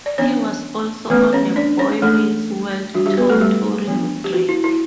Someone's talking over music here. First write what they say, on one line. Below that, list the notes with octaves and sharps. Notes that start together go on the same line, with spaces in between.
He was also on the Boy Meets World Tour touring with Drake.
D5
E3 B3 C#4 D4 C#5
E3 A3 B3 C#4 B4
C#4 C#5
D4 D5
C#4 C#5
E3 A3 D4 A4
E3 G3 D4 F#4
G3 G4
B3 B4
A3 A4
G3 G4
E3 B3 D4
G4
F#4
E4
E4